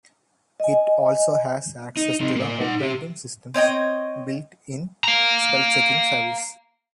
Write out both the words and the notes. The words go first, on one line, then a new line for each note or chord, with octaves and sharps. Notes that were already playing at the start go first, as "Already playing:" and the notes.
It also has access to the operating system's built-in spell-checking service.
D#5 G#5
D#4
C3 D#4
A#3 D5
D#4 F#5
G4 E5
C4 C#5 D#5 G5
F5 A#5